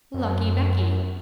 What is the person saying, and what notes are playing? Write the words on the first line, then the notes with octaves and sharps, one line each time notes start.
'Lucky Becky!
F#2